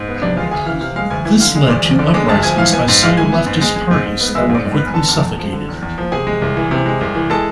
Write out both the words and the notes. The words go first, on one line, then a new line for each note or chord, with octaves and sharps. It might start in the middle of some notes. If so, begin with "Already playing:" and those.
This led to uprisings by some leftist parties that were quickly suffocated.
Already playing: G#2
B3
C3 D4 D5
G#3 F4 F5
D2 G#4 G#5
E3 F5 F6
C3 F5 F6
G#3 F5 F6
D2 G#5 G#6
E3 G#5 G#6
D3 F5 F6
G#3
C6
D2 D5 D6
F3
D3 D5 D6
G#3 D5 D6
D2 A5 A6
F3 G#5 G#6
E3 F5 F6
B3 G#5 G#6
G#2
G#3 F5 F6
E3 G#5 G#6
B3
G#2
G#3
G#3
G#2
G#2
B3
G#3 E5 E6
G#2
D5 D6
G#2
B4 B5
B3
G#5
D3 A4 A5
E2
E2
F3
D3
E2
E2
F3
C3 G#4 G#5
G#3
C2
E3
C3
G#3
C2
E3
G#3 A4 A5